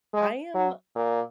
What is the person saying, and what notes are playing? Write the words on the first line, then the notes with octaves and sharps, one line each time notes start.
I am
G#3
F#3
A#2